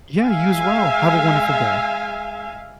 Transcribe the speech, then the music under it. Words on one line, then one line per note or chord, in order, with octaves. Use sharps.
Yeah, you as well. Have a wonderful day.
G#3 E5 F5 G#5